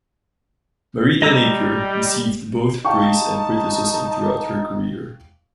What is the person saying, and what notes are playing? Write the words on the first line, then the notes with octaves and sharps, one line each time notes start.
Marita Napier received both praise and criticism throughout her career.
G3 D#5 A#5 E6
D#4 F5 G5 A5 C#6